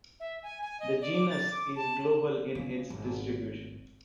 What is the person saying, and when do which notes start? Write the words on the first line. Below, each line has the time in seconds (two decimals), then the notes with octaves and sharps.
The genus is global in its distribution.
0.20 E5
0.43 G#5
0.62 G#5
0.80 D#5
1.01 D5
1.14 D6
1.30 A6
1.51 D6
1.76 A5
2.55 C#3
2.90 G#1